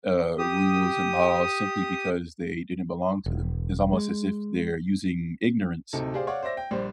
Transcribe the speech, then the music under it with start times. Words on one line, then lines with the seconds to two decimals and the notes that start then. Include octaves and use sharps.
uh, rules and laws simply because they didn't belong to them, it's almost as if they're using ignorance
0.38 G4 D#6
3.26 E1
3.93 G#3
5.93 D1 C3 D#4 A4
6.14 G4 G#4 C5 D5 F5
6.27 C#5 D5 F5 F#5
6.43 C5 D5 E5 A#6
6.57 G5
6.71 A#1 G3 C5